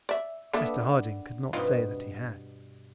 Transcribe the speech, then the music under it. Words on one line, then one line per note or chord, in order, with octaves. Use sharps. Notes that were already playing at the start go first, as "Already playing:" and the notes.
Mr Harding could not say that he had.
D5 E5
A#3 B3 D4 A4 B4 E5
G2 B2 C4 D#4 F4